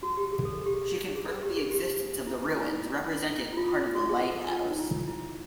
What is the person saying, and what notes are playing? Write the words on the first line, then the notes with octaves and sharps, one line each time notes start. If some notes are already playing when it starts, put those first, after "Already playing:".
She confirmed the existence of the ruins representing part of the lighthouse.
F#4
G4
G#4
A4
G#4
G4
G#4
G#4
G#4
G4
G#4
G4
E4
D#4
E4
D#4
E4
E4
E4
F4
F4
F#4
G#4
A4
F4
D#4
E4
E4